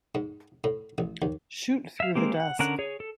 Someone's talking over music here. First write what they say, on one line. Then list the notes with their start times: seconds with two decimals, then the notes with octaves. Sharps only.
Shoot through the desk.
0.15 G#2
0.64 A2
0.98 A1
1.22 D#2
2.00 E5 F5
2.15 G#3 A#3 C4 G4
2.34 F#5
2.59 D3 C#4 A#4 F#5 F#6
2.79 G#4 C#5
3.00 A4